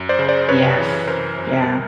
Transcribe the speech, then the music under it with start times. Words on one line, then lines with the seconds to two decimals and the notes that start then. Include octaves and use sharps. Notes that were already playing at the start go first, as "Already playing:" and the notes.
Yes. Yeah.
Already playing: F#2
0.09 C5 D5
0.19 C#3
0.28 C5 D5
0.49 F#2 B4 C#5
0.78 E3
1.07 F#2 A#4 C5
1.37 F#2
1.67 G3